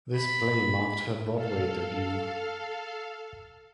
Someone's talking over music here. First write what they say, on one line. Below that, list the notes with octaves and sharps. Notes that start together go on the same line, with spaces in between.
This play marked her Broadway debut.
B5
A4 F5